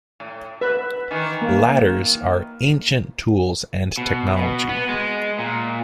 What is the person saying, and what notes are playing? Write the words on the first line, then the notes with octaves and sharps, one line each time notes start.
Ladders are ancient tools and technology.
A2
B4 E5
D#3 E3
A#3
B2
B2
B3
G#3
A#2